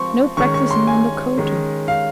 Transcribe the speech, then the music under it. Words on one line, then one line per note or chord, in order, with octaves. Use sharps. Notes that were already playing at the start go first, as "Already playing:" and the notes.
No practising on the koto!
Already playing: F3 C4 C6 C#6
D#3 G#3 C#4 C#6
C#6
C6
G#5
D#3 G#3 C#4
F5